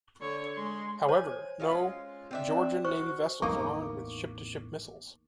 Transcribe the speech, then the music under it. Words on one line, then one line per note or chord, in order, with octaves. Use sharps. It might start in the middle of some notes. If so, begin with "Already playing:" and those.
However, no Georgian navy vessels are armed with ship-to-ship missiles.
D3 C#5
G#3 C6
C5 C#5 G#5
G#3 C#4 F4
C4 D4 E5
F#4 C5 C#6
A1 E2 A#3 D#4 C#6 D6